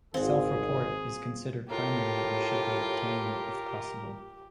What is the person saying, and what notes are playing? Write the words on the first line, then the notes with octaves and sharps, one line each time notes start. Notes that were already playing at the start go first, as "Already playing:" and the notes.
Self-report is considered primary and should be obtained if possible.
G#1 C4 F4 F#4 G#4
A2 F4 G4 A#4